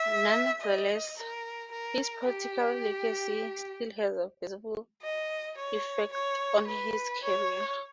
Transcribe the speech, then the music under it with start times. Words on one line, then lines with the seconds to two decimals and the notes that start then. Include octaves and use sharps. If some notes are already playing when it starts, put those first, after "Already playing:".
Nonetheless, his political legacy still has a visible effect on his career.
Already playing: E5
0.62 D#5
1.17 A#4
1.72 A#4
2.27 G4
5.03 D#5
5.57 C#5
6.13 C#5
6.67 B4
7.23 C#5